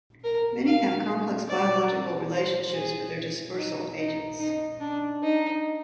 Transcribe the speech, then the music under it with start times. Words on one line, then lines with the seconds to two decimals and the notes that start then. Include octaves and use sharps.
Many have complex biological relationships with their dispersal agents.
0.24 A#4
0.66 F5
1.49 D5
2.32 C5
2.73 G#4
3.57 D#4
3.98 D#4
4.40 D#4
4.80 D4
5.23 D#4